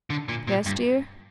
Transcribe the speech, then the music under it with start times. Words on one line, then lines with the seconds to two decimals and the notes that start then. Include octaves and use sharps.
"Yes, dear?"
0.10 D3
0.28 A#2
0.47 A#2
0.66 G2